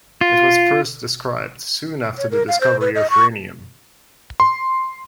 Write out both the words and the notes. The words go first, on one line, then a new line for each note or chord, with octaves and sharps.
It was first described soon after the discovery of rhenium.
F4
C#5
A#4
F5
C5
B4
D#5
C#6
C6